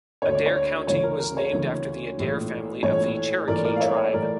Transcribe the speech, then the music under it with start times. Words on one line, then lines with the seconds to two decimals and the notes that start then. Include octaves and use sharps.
Adair County was named after the Adair family of the Cherokee tribe.
0.22 D2 D3 C#5
0.35 D5
0.46 C#5
0.87 D2 C#3 E3 C#5
1.04 A#4
1.20 A#4
1.37 C#5
1.53 D2 C#3 E3
2.18 A#1 A2 E3
2.83 A#1 A2 E3 C#5
3.48 A#1 A2 E3 A#4 D5
3.65 A#4 D5
3.76 F5
3.80 C#5 E5
3.97 C#5
4.13 A2 E3 A#4 D5